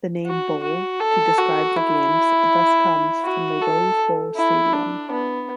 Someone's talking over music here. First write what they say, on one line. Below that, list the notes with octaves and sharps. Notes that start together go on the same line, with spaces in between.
The name "bowl" to describe the games thus comes from the Rose Bowl stadium.
F#4
F#4
A4
F#4
E4
F#4
A4
E4
D4
B3